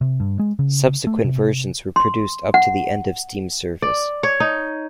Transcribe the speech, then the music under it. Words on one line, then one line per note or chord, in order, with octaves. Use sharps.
Subsequent versions were produced up to the end of steam service.
C3
G2
G#3
C#3
A3
C3
C6
F#5
D5
C#5
D#4